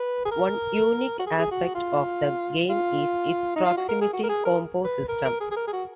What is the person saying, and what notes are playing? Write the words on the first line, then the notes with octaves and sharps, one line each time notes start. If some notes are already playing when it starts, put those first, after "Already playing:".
One unique aspect of the game is its proximity combo system.
Already playing: B4
G#4
A#4
F#4
G#4
G#4
F#4
F4
F4
D#4
F4
F#4
A#4
G#4
F#4
A#4
G#4
A#4
B4
A#4
A#4
G#4
G#4
A#4
G#4
F#4